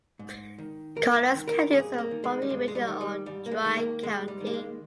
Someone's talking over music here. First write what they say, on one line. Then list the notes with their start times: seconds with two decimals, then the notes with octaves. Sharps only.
Carlisle County is a prohibition or dry county.
0.19 G#2
0.58 D#3
0.96 G#2 A#4
1.35 D#3
1.48 A#4
1.73 G2 G#4
1.94 C4
1.98 A#3
2.11 D#3
2.24 G#3
2.42 G3
2.49 G2 G#3
2.68 G#3
2.75 G3
2.88 D#3
3.01 G3
3.26 G#2 G3
3.46 A#3
3.51 G#3
3.65 D#3
3.77 A#3
4.03 G#2 G#3
4.28 G3
4.41 D#3
4.47 A#3
4.54 G#3